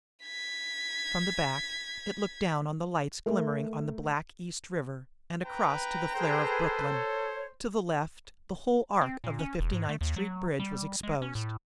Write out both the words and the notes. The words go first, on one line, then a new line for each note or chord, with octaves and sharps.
From the back it looked down on the lights glimmering on the black East River and across to the flare of Brooklyn; to the left the whole arc of the Fifty-ninth Street Bridge was exposed.
G#6 B6
A3 A#4
B4 G5 A#5
G#4 A4 B4 C5
C#5
C4
A#2
C#4
E1
G#2
A3
D#2
F#3
G3
G#3
C#4
A2